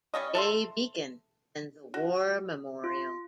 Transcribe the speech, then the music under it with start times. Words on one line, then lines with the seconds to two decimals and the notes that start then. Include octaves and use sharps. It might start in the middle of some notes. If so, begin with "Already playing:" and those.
Day Beacon and the War Memorial.
0.14 G3 A#3 C#4 D#5
0.35 A4 E5 C6
1.94 F#4
2.84 F4